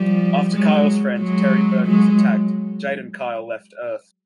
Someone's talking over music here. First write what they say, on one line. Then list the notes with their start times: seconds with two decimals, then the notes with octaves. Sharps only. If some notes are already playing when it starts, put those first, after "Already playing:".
After Kyle's friend, Terry Berg, was attacked, Jade and Kyle left Earth.
Already playing: F3 G3
0.55 F#3 G#3
1.20 F#3 G#3
1.86 F#3 G#3